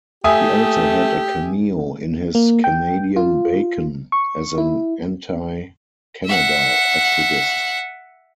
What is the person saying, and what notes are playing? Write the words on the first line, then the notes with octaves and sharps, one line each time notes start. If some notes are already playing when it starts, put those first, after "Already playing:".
He also had a cameo in his "Canadian Bacon" as an anti-Canada activist.
A3 G4 E5 G#5 D#6
A#3
G5
F4
C#6
E4
E5 F#5